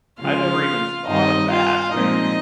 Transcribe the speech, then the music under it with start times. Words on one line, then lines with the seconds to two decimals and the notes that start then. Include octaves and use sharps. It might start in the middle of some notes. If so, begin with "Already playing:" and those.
I never even thought of that where
0.19 C#3 F3 G#3 F4 F5
1.06 G2 D#3 G3 C4 D#4 D#5
1.50 F4 F5
1.93 A#2 F3 G#3 C4 D#4 D#5